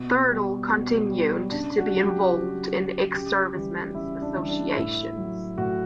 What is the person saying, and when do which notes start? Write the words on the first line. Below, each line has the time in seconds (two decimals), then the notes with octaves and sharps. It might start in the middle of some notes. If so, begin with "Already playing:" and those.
Thurtle continued to be involved in ex-servicemen's associations.
Already playing: B2
0.29 G3
0.69 B2
1.10 G3
1.51 C#3 D4
1.78 F#4
1.92 F#3
2.05 G4
2.32 C#3
2.73 F#3
3.13 C#3 G4
3.54 E3 G3
3.95 C#3 E4
4.22 D4
4.35 E3 G3
4.49 D4
4.76 A2 E4
5.17 F#3
5.58 A2 F#4